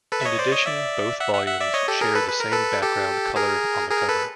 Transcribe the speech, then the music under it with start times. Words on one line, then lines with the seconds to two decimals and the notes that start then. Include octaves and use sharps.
In addition, both volumes share the same background color on the cover.
0.12 A4 B4
0.21 E5
0.25 C#5 D#5
0.39 C5 D5
0.52 C#5 D#5
0.66 D5 E5
1.20 E5 F#5
1.34 E5 F#5
1.47 E5 F#5
1.61 D5 E5
1.74 C#5 D#5
1.88 G4 A4
2.01 G#4 A#4
2.15 A4 B4
2.29 B4
2.40 A#4
2.52 A4 B4
2.82 G4 A4
3.36 G#4 A#4
3.90 G#4 A#4
4.09 A4 B4